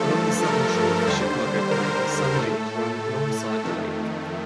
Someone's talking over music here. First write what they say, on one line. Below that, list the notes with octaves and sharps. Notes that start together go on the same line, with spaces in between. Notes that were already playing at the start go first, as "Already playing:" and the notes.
Along the southern shore of the Chicago Plain, sand dunes run alongside the lake.
Already playing: G2 F3 A3 A4
A#4
D#2 D3 G3 C5
A#4
A2 A3 A4
F2 D#3 A3